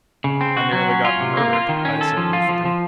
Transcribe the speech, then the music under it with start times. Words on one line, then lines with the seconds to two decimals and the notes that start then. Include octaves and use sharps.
"I nearly got murdered," I said ruefully.
0.24 C#3
0.41 C4
0.57 F#4
0.73 F#3
0.89 C#4
1.05 F4
1.21 C3
1.37 A#3
1.53 F4
1.69 D#3
1.85 C#4
2.01 A4
2.17 F3
2.33 F4
2.49 F3
2.65 F3